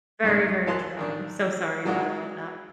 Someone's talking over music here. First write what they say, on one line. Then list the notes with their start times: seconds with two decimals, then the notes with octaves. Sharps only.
Very, very true. I'm so sorry about all of that.
0.23 C2 G2 G#3 D4 D#4
0.66 E3 F5 A5 C6 D#6 F#6
0.97 A1 D#3 D4
1.85 F#3 G#3 D4 D#4 F4 F#4